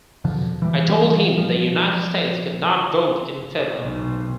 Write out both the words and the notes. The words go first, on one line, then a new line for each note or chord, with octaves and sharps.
I told him the United States could not vote in favor.
E2 B2 D3 F3
E3 G3
F3
B1